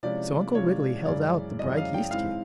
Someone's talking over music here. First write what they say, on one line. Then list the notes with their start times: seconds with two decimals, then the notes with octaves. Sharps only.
So Uncle Wiggily held out the bright yeast cake.
0.03 C3 F3 G#3 C#4 E4 D5
0.55 C3 F3 G#3 C#4 E4 C#5
1.07 F#2 C#3 E3 G#3 D5
1.59 F#2 C#3 E3 G#3 D#5
1.77 F5
1.94 G5
2.11 G#2 E3 G#3 C4 E4 F5